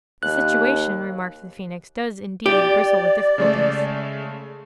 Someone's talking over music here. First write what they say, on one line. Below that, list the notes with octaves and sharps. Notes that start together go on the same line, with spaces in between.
'The situation,' remarked the Phoenix, 'does indeed bristle with difficulties.'
D#2 F#6
G4 D5
C#3 G#3 A3